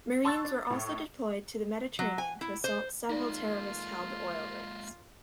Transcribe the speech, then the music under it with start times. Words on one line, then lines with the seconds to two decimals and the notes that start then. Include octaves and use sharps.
Marines were also deployed to the Mediterranean to assault several terrorist-held oil rigs.
0.25 A5 C6 C#6 E6 F#6 A6
0.45 D4
0.70 A2 C#6
1.99 F#3
2.18 G#5
2.41 E4
2.64 C5
3.09 G#3 A#3 D#4 F4 D5